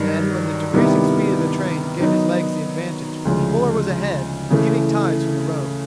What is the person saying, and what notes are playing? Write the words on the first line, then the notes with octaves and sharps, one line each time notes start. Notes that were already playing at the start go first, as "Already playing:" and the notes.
Then, when the decreasing speed of the train gave his legs the advantage, Fuller was ahead, heaving ties from the road.
Already playing: G2 D#3 F#3
C3 D#3 G3 B3 E4
D#3 F#3 B3 D#4
D2 C#3 F3 G#3
C#3 E3 A3